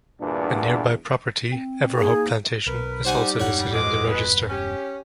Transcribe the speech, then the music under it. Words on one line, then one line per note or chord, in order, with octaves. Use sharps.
A nearby property, Everhope Plantation, is also listed in the register.
E2 G2 A#2 B3 D4
C4
A#3 D#4 G#4
B1 A#4 B4
G3 D#4 C5 F#5 G#5
E1 G2 C#5 F#5
B2 F3 G#3 D6
B4
C#4 G4